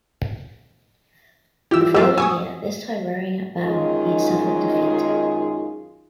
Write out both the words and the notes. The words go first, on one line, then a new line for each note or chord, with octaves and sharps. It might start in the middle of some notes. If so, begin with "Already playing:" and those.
The following year, this time rowing at bow, he suffered defeat.
E3 E4 F4 G4 E6
F#3 F4 G4 E6
G#5 C#6 D#6 E6
F#2 D#3 G#3 D#4 F4 G#4